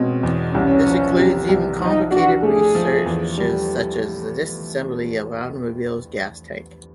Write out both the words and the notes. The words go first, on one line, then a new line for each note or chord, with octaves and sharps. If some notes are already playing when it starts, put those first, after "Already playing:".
This includes even complicated searches such as the disassembly of an automobile's gas tank.
Already playing: B2 G#3 C4 C#4
E2
C2 C#4
F3
C3
C2
F3 D#4
D4 F#4
A3 G#4
F3
E2
G3